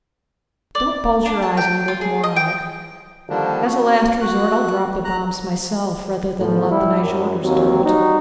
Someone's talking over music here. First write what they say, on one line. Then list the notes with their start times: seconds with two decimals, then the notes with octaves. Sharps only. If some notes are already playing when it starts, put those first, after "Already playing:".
Don't bulge your eyes and look moronic. As a last resort I'll drop the bombs myself rather than let the Nyjorders do it.
0.75 D5
1.26 D4
1.43 A5
1.57 G5
1.88 F4
2.01 G#4
2.24 D#5
2.36 G5
3.30 D3 D#3 F3 G3 A#3 D4
3.65 F#4
4.21 F#4 F#6
5.04 A#5 F#6
6.39 E2 A2 F3
6.70 G3 E4
7.02 F#2
7.42 D#2 F#3 C4
7.84 G3 D#4 F#4